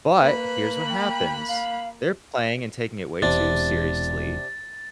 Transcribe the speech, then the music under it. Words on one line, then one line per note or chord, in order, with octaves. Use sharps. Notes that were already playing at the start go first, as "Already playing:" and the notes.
But, here's what happens, they're playing and taking it way too seriously,
A#3 B4 B5 F#6
G5
F5
E1 E2 C3 D4 A6